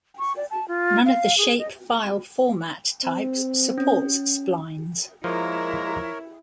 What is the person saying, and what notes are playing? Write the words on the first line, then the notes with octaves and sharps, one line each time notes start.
None of the shapefile format types supports splines.
C#6
D5
A5
F4
F5
G#4
D#5
C4
C#4
F3 G#3 A#3 E4 A#4 C#5 A#5